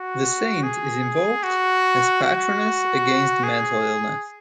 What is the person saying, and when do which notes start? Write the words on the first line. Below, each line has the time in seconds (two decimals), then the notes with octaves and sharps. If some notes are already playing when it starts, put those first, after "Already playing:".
The saint is invoked as patroness against mental illness.
Already playing: F#4
0.64 G#4
1.43 F#4
2.24 F#4
3.44 G#4